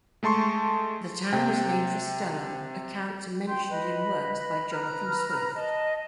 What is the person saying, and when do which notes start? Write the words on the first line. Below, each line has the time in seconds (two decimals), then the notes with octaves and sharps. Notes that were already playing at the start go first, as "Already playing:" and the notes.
The town was named for Stella, a character mentioned in works by Jonathan Swift.
0.23 G#3 A3 A5 C6 C#6
1.33 C3 G5
3.48 G5 C6 G6
3.70 B4 D#5 B5
4.71 B4 A#5 F6
5.55 D#5 A5